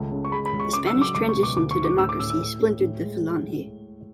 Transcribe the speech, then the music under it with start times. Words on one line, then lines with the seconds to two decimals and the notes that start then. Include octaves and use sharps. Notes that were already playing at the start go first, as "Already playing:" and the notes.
The Spanish transition to democracy splintered the Falange.
Already playing: C#2 A3
0.12 C#3
0.25 C#6
0.32 G#3 B5
0.46 B5
0.53 C#2
0.60 C#6
0.73 C#3 D6
0.87 E6
0.94 F#3
1.02 D6
1.15 C#2 D6
1.29 C#6
1.36 B2
1.43 D6
1.57 D2 D6
1.71 C#6
1.77 D2
1.84 D6
1.98 A2 E6
2.09 D6
2.19 A2 E6
2.30 E6
2.40 A2
2.60 A2
2.81 A2
3.02 G#3